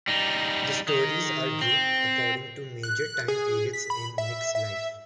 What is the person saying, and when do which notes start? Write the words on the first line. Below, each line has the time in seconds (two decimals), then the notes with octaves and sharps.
The stories are grouped according to major time periods in Nick's life.
0.08 G3 D#4
0.88 D#3
1.61 C4
2.83 F#6
3.28 G#4
3.73 B6
3.90 B5
4.18 E5
4.55 E5